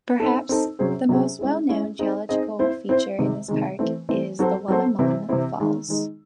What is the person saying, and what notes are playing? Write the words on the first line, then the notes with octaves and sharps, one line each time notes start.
Perhaps the most well known geological feature in this park is the Wallaman Falls.
C4 D#4 A4
C4 D#4 A4
C3 F#3 C#4 G#4 C5
C3 F#3 C#4 G#4 C5
G#3 C#4 E4 G#4
G#3 C#4 E4 G#4
C4 D#4 G#4 D#5
C4 D#4 G#4 D#5
C4 E4 C5
C4 E4 C5
C3 D#3 G#3
C3 D#3 G#3
E3 A3 C4
E3 A3 C4
F#3 C4 F#4 A4 C5
F#3 C4 F#4 A4 C5
C3 E3 C4 E4
C3 E3 C4 E4
D#3 G#3 D#4
D#3 G#3 D#4